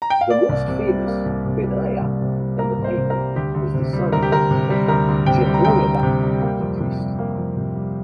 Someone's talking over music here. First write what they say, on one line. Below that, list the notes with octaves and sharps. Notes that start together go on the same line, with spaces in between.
The most famous Benaiah in the Bible is the son of Jehoiada the priest.
A#5
G5
F5
A#3 D5
C2
C3
G3
A#3
C2
C3
G3
A#3
C2
C3
G3
A#3 A#4
C2
C5
C3
A#4
G3
D2 G4
D2
C3
G3
D2 A#4
G4
D2 A#4
C3
G3
D2 A#4
D2
C3 G5
G3
A#5
D2 G5
D2
C3
G3
A#3
F2
C3
G3
A#3
F2
C3
G3